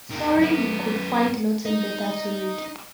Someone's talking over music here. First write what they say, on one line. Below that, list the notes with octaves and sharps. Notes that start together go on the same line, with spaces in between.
Sorry you could find nothing better to read.
E2 D#3
F#2 B3
D#4